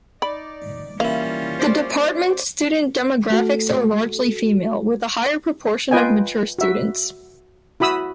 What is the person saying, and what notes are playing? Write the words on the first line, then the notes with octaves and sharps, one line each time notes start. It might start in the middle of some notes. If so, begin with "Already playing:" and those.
The department's student demographics are largely female, with a higher proportion of mature students.
D#4 D5 B5
E3 G3 A#3 C#4 E4 F4 F5
C5 D5
A3 F#4 A4
F4 B4 D#5 G5 G#5
F#4 E5
E4 F#4 B5 D#6 E6